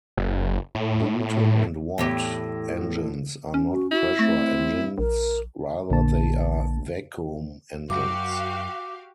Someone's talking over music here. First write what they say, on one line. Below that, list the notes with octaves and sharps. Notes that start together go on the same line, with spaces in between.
Boulton and Watt engines are not pressure engines, rather they are vacuum engines.
F#1
A2
E2 A2 G4
C#4
F#4
E4 F#4
A3 C4
A#1 A#4
A#1 D3 A#3 A5
F#2 F#4 G4 F5 D6